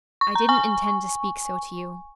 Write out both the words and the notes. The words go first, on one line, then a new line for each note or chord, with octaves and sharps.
'I didn't intend to speak so to you.
C#6
A#5
G#5 C#6